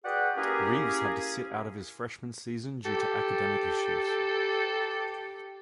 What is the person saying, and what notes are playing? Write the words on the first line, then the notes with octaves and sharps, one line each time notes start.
Reeves had to sit out his freshman season due to academic issues.
F#4 G#4 B4 D5 F#5 G5
A#3 C#4 E4 G4 G#4 A#4
G4 A4